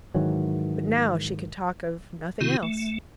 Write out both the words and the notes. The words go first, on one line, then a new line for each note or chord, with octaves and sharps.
But now she could talk of nothing else.
G#2 D#3 E3 F#3
C3 D#3 C4 E4 F#4
A3